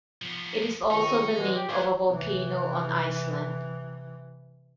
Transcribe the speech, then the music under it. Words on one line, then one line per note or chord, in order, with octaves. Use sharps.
It is also the name of a volcano on Iceland.
F3 B3
C#2 D#3 D#4 C#6
B2 E3 G#3
G4
D2 B4 F5 G#5
C3 E3